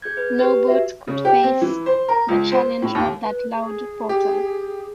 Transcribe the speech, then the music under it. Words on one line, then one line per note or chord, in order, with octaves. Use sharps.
No boat could face the challenge of that loud portal.
G#4 G6 G#6
B4
G4 B4
F#4 E5
C#3
G4
C4
E3
C5
A#4
C#2
C5
A2
D#2
B4
G#4
G4